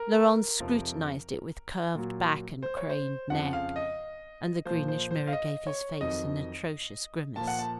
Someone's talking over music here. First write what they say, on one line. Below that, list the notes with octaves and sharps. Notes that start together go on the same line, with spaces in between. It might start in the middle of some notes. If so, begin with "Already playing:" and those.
Laurent scrutinised it with curved back and craned neck, and the greenish mirror gave his face an atrocious grimace.
Already playing: A#4
F2 C3 F3
A#2 F#3
C5
C#5
C5
F2 C#3 F3 F#5
F5
D#5
A#2 F3 C5
C5
C5
F5
D#5
C#5
F2 D#3 F#3 D#5
A#2 F3 A5
F#5
A5